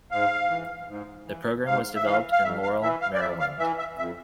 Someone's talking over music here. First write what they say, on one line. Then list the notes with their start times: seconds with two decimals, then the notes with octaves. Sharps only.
The program was developed in Laurel, Maryland.
0.11 G#2 F5
0.50 E3
0.88 G#2
1.27 E3
1.66 G#2 F5
1.95 E5
2.05 E3 F5
2.32 F5
2.43 F2 E5
2.62 F5
2.82 E3 E5
3.01 F5
3.14 D5
3.20 F2 E5
3.40 F5
3.59 E3 E5
3.78 E5
3.98 F2 E5